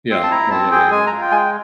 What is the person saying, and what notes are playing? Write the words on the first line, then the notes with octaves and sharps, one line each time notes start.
Yeah. Yeah, yeah, yeah, yeah.
C4 C6
A5
E4 A#5
C4 A5
G#4 G5
G#3 G#5
A#5
F4
G5
G#3 G#5
G5